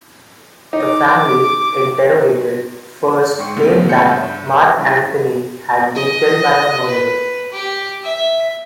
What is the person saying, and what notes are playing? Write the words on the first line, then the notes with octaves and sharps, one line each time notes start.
The family, interrogated, first claimed that Marc-Antoine had been killed by a murderer.
D#4 D6
G#2 G5 C6 C#6
C#3 E3 A3 B3
A#2 C#3 G#5 C6 G6 C#7
G2 E5
C#3 G3 E4
D#5
B4
G4
E5